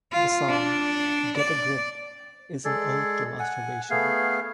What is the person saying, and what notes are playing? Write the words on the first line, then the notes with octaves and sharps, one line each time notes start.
The song "Get a Grip" is an ode to masturbation.
F4
D4
D5
G#3 G#4 A4 D5
F#5 G#5
A3 B3 G#4 F5